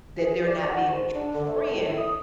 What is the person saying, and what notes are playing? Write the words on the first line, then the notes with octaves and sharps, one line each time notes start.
that they're not being a true friend,
G#4
D5
F#4
G#2
D4
D3
A3
A2
E4
D#6